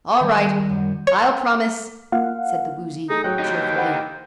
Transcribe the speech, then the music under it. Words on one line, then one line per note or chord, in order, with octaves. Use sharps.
"All right; I'll promise," said the Woozy, cheerfully.
D#3 G3
F#2
C#5
A#3 F4 F5 F#5
A3 D#4 G#4
F#3 C#5 G5 F#6
D#4 G4
C5 F#5 B5